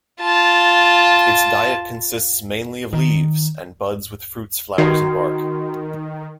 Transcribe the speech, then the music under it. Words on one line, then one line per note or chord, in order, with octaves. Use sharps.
Its diet consists mainly of leaves and buds with fruits, flowers, and bark.
F4 A5
D#3
D#3 F#4